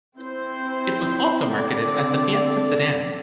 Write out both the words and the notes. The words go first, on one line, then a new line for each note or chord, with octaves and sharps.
It was also marketed as the Fiesta Sedan.
C4 E4 C5
D3 C4 A4 D5